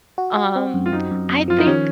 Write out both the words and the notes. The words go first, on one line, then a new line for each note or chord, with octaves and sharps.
um, I think
F#4
F#4
C4
F#2
F4
F#2 D#4
F#2
F#2
F3 F4
D#4
D#3 C#4